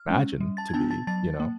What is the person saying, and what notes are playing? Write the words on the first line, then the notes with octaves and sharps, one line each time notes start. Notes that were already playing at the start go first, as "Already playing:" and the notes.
imagine to be, you know?
Already playing: F6
G#3 C#4
G3
A5 A6
G#6
B3 D4 A5 A6
A5 A6
F#3 A5 A6
A#3